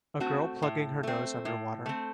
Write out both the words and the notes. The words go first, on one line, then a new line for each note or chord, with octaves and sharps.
A girl plugging her nose underwater.
A3 C4 F#4
A2
A3 C4
A2
A3 C4